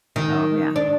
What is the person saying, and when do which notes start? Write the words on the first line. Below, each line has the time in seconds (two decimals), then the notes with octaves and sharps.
Oh, yeah.
0.16 D#3
0.76 D4